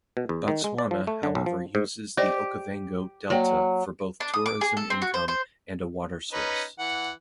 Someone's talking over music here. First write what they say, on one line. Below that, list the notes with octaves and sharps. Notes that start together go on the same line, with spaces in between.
Botswana, however uses the Okavango Delta for both tourism income and a water source.
B2
E2
D#3
G#3
D5
F3
A3
D3
B1
F3
G#2
G4 C5 D5 D#5
F#3 A#3 D5 G5
D4
D#6
D6
G#4
A4
C4
F#4
C5
C5
C#4 D#4 B4
E3 F#5